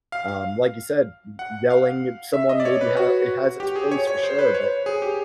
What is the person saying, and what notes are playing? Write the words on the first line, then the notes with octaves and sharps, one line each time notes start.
um, like you said, y yelling at someone, maybe, ha it has its place, for sure, but,
F5
F5
F#5
F5
E5
D#5
D5
C#5
B4
F#4
G4
G#4
C#5
C#5
C5
B4
C#5
G#4
G4